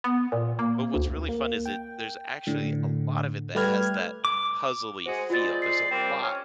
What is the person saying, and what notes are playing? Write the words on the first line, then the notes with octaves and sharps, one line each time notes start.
but, what's really fun is it there's actually a lot of it that has that puzzle-y feel, there's a lot
B3
A#2
A#3
D2
A#3
G5
A2 D3
G3 A3 G4 B4 F6 G#6
D6
G#3 F#4 G#4 C5
G#3 C4 F4 D5 A6
C7
G3 A#3 C4
C#4